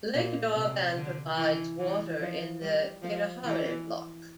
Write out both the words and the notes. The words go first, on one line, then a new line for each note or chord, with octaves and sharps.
Lake Darvan provides water in the Katehari block.
A#2
C3
D3
E3
E3
F3
G3
F3
E3